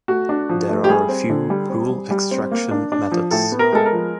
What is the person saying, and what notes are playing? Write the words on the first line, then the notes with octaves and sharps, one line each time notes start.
There are a few rule-extraction methods.
A3 F#4
D4
F3
A3
G4
G3 G#4
C4
D3
G3
C4
G3
G3
C4
A#3
D4
D4
F3
A2 A4
B3
A#4
G#3 A4
A#4
F3